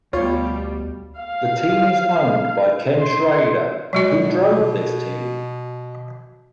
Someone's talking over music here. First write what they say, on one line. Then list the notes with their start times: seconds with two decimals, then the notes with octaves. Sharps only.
The team is owned by Ken Schrader, who drove this team.
0.13 D2 B2 G3 F4 C#5
1.18 F5
2.98 C6
3.93 B2 F#3 G#3 F#4